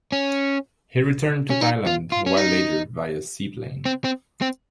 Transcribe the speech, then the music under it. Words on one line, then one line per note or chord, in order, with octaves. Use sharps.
He returned to Thailand a while later via seaplane.
C#4
C#4
D#4
F4
F4
C#4
D#4
C4
C4
C4